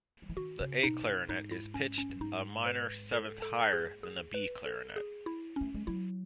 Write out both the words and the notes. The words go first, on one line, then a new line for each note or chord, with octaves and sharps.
The A clarinet is pitched a minor seventh higher than the B clarinet.
F#3
E3
D#3 F#4
C#3
B2 D#4
B2
G#2 D#4
E4
C#4
C#4
F#2
G#2 D#4
B4
A4
A4
G#4
G#4
B4
A4
G#4
E4
A3 C#4
G#3
F#3 E4